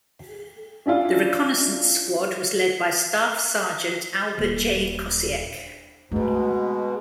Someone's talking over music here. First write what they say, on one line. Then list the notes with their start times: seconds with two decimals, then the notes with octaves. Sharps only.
The reconnaissance squad was led by Staff Sergeant Albert J. Kosiek.
0.86 C#4 D4 E4 F4
4.38 D#1
6.11 G#2 B2 A3 C4